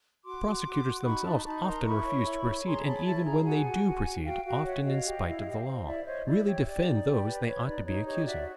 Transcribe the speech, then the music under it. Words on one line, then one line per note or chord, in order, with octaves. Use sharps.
The prosecutors themselves often refuse to proceed, and even when they do proceed, often in spite of the law, really defend those they ought to be accusing.
F#4 C6 D6
F#4
F#4
F#4
D#4 B5 C#6
D#4 A5 B5
D#4 A5 B5
A#4 A#5 C6
E4 B5 C#6
C#5
E4
C#5
G#4 A#5 C6
C#5 A5 B5
E4 A5 B5
G#4 G#5 A#5
F#4 F#5 G#5
F#4
F#4
F#4
F#4 F5 G5
F#4 F5 G5
C#5 E5 F#5
F#4 D#5 F5
G4
E4
G4
C5
E4 D5 E5
C5 C#5 D#5
E4 D5
G4 C#5
G4 D5
D#4
G4
B4
B4 C#5
D#4 D5
D#4 C#5
G4 C#5 D#5
F#4 D5 E5